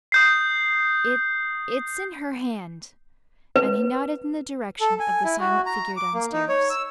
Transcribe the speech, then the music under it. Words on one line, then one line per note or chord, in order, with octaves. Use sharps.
"It--it's in her hand," and he nodded in the direction of the silent figure downstairs.
D#6 G6 C7
B4
A4
G#5
E4
F#4
A#5
D6
A#3
D#4
C#5
E6